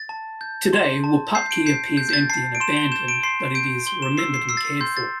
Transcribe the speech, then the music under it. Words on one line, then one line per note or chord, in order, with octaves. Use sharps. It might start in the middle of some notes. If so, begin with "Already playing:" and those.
Today Wupatki appears empty and abandoned, but it is remembered and cared for.
Already playing: A6
A5
G6
C6
A5
G6 C7
D7
G6 C7
G6
G6
A6
A5 C7
D7
C6 E7
G7
G6 E7
D7
C6 C7
G6 D7
C6 G7
E7
E6 C7
C7
E6 C7
A6
C7
C6 G6
A6